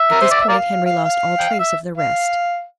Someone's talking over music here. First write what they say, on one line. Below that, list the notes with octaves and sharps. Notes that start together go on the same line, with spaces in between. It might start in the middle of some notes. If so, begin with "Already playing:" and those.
At this point Henry lost all trace of the rest.
Already playing: E5
A#4
C5
D5
E5
A#4 D5 F5
F5
F5
G5
F5
E5
F5